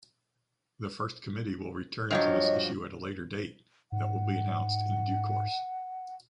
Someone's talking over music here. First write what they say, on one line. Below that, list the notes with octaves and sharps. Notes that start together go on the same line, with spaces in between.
The First Committee will return to this issue at a later date that will be announced in due course.
G2 F3 F#3 C#5 D#5
G#2 F#5